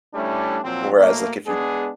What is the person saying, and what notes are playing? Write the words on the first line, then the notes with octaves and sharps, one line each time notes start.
whereas, like, if you
G3 A3 C#4 D4 E4
A#2 F3 F#3 C4
B2 A3 A#3
G#3 B3 D4 G#4